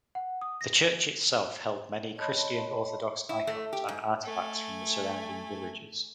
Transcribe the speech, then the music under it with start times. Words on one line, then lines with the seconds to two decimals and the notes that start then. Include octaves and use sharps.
The church itself held many Christian Orthodox icons and artifacts from the surrounding villages.
0.15 F#5
0.41 D#6
0.61 A#6
2.16 C#5 D#5 A5 B5 C6
3.29 E4
3.47 A3
3.73 G4
3.88 G#2
4.24 A3 G#5